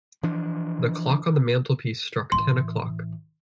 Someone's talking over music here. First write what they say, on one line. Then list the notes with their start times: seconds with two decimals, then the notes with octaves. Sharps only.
The clock on the mantelpiece struck ten o’clock.
0.23 E3 F3 D4
2.32 A1 E3 C6